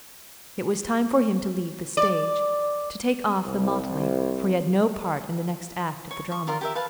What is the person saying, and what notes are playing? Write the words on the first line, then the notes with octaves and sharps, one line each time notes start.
It was time for him to leave the stage, to take off the motley, for he had no part in the next act of the drama.
D5
C2
C#5
C#6
F4 A#4 D5
G4 A#4 E5
B4 F5 A5